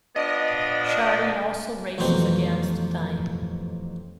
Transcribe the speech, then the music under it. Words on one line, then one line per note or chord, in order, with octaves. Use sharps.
Charlie also races against time.
F3 B3 D4 D#5
A1 F2 B2 F#3 C4 D4